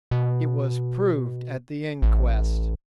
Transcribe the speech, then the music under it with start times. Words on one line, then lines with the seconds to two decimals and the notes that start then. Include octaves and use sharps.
"It was proved at the inquest."
0.11 B2
2.02 A1